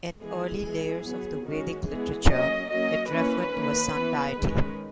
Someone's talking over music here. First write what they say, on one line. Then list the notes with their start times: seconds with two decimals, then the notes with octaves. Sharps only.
In early layers of the Vedic literature, it referred to a sun deity.
0.20 E3 G#3 B3 G#4
0.62 E3 G#3 B3 G#4
1.03 F#3 B3
1.45 D#3 G#3 C#4 F#4
1.86 E3 G#3 B3 G#4
2.28 F#3 A#3 C#4 D#5
2.69 F#3 A#3 C#4 D#5
3.11 E3 A#3 C#4 B4
3.53 D#3 A#3 C#4
3.94 E3 B3
4.35 D#3 G#3 C#4